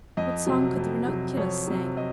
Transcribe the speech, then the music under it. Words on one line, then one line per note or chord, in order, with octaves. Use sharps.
What song could the Ranunculus sing?
F2 D#5
C3 F#3
F2
C3 F#3
F2 C#5
C3 F#3
D#5